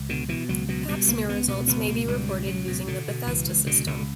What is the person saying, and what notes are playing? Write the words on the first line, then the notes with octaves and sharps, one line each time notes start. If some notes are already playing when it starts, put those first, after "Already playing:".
Pap smear results may be reported using the Bethesda System.
Already playing: C#2
B2 D3
B2 E3
C#2 F#3
B2 F#3
B2 G3
C#2 A#3
C#2 B3
B2 B3
C#2 B3
B2 A#3
C#2 G3
B2
C#2 F#3
B2
B2 D3
B2
C#2 E3
C#2
B2 D3
C#2 D3